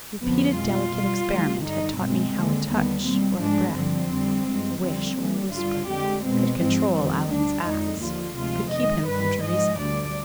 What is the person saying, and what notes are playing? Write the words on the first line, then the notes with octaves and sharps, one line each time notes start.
Repeated delicate experiment had taught me how a touch or a breath, a wish or a whisper, could control Allan's acts, could keep him from Theresa.
F2 D3 F3 B3
B2 G#3 F4
B2 G3
D2 D3 G3
G2 D3 G3 D#4
B2 G#3 C4
D#2 D3 G#3
D#2 D3 G3 B3
B2 G3 C4
G#2 F3 G#3 D4
G2 D3 F3 C4
F2 D3 G3
G2 F3 G#3
F2 D3 G3 C4
D#2 D3 G3
G2 D3 G3 F4
F2 D3 G#3 G4
B2 G#3 C4
G#2 F3 G#3 C4
F2 D#3 G3 C4
D2 D3 G3 D4
F2 D3 G#3 D#4
D#2 D3 F3 F4
D2 C3 F3 G#3 F4
F2 D#3 G#3 D#5
G2 D#3 G3 B4
G#2 F3 G#3 D#5
D2 D3 G3 D5